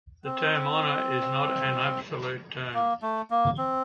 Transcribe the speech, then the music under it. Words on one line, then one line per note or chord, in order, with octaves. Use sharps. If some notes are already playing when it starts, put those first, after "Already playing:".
The term honor is not an absolute term.
C4
A#3
A3
A#3
C4